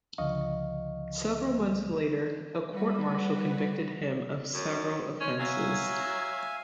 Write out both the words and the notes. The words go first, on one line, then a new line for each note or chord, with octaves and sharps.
Several months later, a court martial convicted him of several offenses.
C#2 D3 F3 D#5 F5 C#6
G3 F#4 B4
F#2
C#4 C5
F#3 E5 F5 G#5